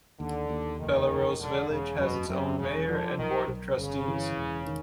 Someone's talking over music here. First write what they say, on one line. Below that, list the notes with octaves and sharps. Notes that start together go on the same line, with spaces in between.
Bellerose Village has its own mayor and Board of trustees.
D#2 D3
D#2
F1 D#3
F1
E1 D3
E1 C#3
F#2 B2
F#2 C3
E1 C#3
D3 F3
B1 D#3
B1
G1 C#3
E3
E1
D#3